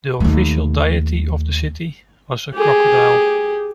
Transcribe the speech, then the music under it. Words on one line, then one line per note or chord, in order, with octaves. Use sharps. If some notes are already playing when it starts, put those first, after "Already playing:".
The official deity of the city was a crocodile.
D#2 A3
G4 G#4